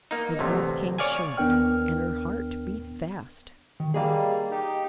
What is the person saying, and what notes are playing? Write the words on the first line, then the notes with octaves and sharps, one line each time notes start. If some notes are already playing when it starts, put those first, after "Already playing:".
Her breath came short and her heart beat fast.
A#3 D#4
A1 D2 C3
C#5 D5 F5 G#5
D#2 B3 D4 A#4 G5 F6
D#3
G3 A#3 G#4 D#5 F5
D#4 G4